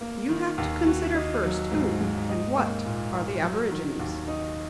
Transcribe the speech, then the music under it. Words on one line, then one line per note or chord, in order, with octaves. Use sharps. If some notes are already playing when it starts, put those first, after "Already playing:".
You have to consider, first, who and what are the aborigines.
A#3
D#3
D#2
F#4
D#4
F#3
G#2
G#2
D#4
A#3
A#2
A#4
F#3
D#3
D#2
D#4